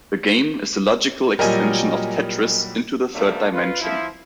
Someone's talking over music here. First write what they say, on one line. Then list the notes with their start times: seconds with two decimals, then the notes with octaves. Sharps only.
The game is the logical extension of "Tetris" into the third dimension.
1.39 A#2 F#3 G3 A#4 D#5 G#5
3.13 C#3 F3 F#3 A3 A#3 D4
3.52 F4 B4
3.81 F3 E4